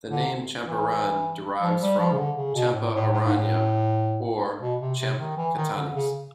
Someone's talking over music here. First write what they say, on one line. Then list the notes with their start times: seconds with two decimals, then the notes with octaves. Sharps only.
The name Champaran derives from "Champa-aranya" or "Champkatanys".
0.11 D3
0.67 E3
1.62 F3
1.81 G3
1.99 F3
2.12 C#3
2.18 D3
2.37 C#3
2.55 B2
2.74 A2
2.93 A2
3.12 A2
3.25 G#2
3.37 A2
4.62 B2
4.81 C3
4.99 C3
5.19 D#3
5.37 E3
5.56 D#3
5.76 D3
5.94 C#3